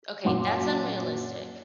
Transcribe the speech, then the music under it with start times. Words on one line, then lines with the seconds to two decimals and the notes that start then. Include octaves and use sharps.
Okay. That's unrealistic.
0.25 F#2 A#2 F#5 C6 D6